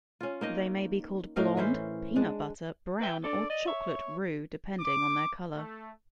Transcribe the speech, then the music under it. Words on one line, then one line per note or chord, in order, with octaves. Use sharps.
They may be called "blond", "peanut-butter", "brown" or "chocolate" roux depending on their color.
C#4 F4
A#3 D#4 D#5
A2 D#4 A#4 F5
E3 C#4 C5
G#3 D4
B4 E5 G5
D4 A4 D5
D5 D#5
C#5 E5
D6
A3